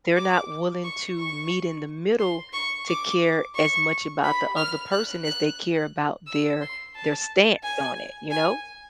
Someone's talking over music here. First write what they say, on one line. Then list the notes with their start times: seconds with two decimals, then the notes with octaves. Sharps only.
They're not willing to meet in the middle to care as much about the other person as they care about their their stance on it, you know?
0.16 D6
0.84 C#6
1.18 C#6
2.19 C6
2.53 C#6
2.88 D6
3.55 C#6
4.24 B5
4.57 F6
4.92 F#6
5.24 F#6
6.27 E6
6.61 C6
6.95 A5
7.63 G#5
8.31 G#5